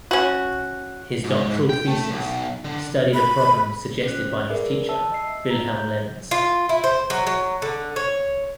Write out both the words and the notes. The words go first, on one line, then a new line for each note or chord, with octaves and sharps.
His doctoral thesis studied a problem suggested by his teacher, Wilhelm Lenz.
C#4 F#4
G#2
G5
A3
B1
D3
B5
C#4 C5 F#6
G#4 A#4 B4 D5 E5
E5 A5 E6
D#5 E6 C7
A#5
G6
F4
E4
C5
F#3
F#3
D3
C#5